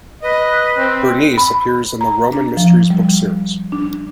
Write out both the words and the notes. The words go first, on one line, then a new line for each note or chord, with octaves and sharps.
Berenice appears in the Roman Mysteries book series.
B4 D#5
C4
B5
A#5
D4
F3
G3
D4